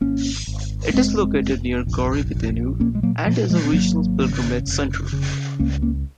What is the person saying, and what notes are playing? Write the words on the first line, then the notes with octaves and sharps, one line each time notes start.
It is located near Gauribidanur, and is a regional piligimage center.
G#1 A#3 C#4
G#1
A#3
F1 G#3 C4
F1
A#1
A#1
A#2 A#3 C#4
G#3
F#3 A#3
A#2 F3
F3 G#3
C4
G#1 F#3 A#3
C#3
F1
C#3
C#2 A#3 C#4
A#3 C#4